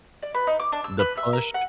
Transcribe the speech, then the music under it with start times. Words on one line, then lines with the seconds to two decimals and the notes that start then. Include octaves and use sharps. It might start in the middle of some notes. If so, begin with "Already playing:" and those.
The push
0.23 D5
0.34 B4
0.47 D#4
0.60 D6
0.72 D4
0.84 E6
0.99 B4
1.17 E5
1.33 A#4
1.54 F#5